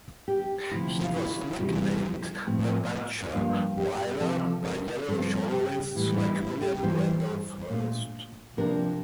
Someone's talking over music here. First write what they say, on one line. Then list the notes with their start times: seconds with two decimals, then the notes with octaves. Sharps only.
He was nicknamed "the Butcher" Weyler by yellow journalists like William Randolph Hearst.
0.28 G4
0.71 D2 C3 F3 E4
1.04 F4
1.16 E4
1.59 E2 C3 G3
2.47 A2 F3 A3 C4
3.33 G2 F3 A#3 D4 F4
3.77 G4
4.21 C3 F3 C4 A4
4.64 A#4
5.08 G2 F3 C4 A4
5.52 G4
5.95 A2 E3 G3 E4
6.17 E4
6.40 E4
6.61 G4
6.82 G2 E3 G3 C5
7.70 A#2 A3 D4
8.57 C3 F3 A#3 D4 A#4